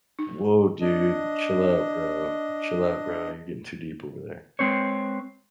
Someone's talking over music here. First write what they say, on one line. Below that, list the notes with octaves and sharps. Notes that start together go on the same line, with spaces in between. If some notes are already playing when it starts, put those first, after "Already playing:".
Whoa, dude. Chill out bro, chill out bro, you're getting too deep over there.
D#4
D4 D#5
G#3 C4 B4 C#5